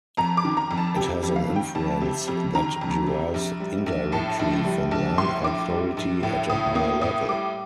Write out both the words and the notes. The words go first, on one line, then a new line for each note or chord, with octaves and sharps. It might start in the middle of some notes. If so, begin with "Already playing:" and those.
It has an influence that derives indirectly from line authority at a higher level.
F2 A#5
D6
D#3
A#5
F2
A5
C3 G5
F2
F5
D#3
G5
F2 A5
C3
F2
D#3 A#5
F2
C3
A#1
G3
A#1
A2 A5
A#1
G3
A#1 A5
A2 C6
A#1 D6
G3
A#1
A2
A2 D#6
A#3 D#6
A2 D#6
G3 D6